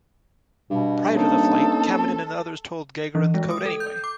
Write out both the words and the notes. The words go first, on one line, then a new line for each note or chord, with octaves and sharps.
Prior to the flight, Kamanin and others told Gagarin the code anyway.
G2 B2
A#3 C4 C#4 D#4 A4
E3
G#3
D#6
A4
G6
D6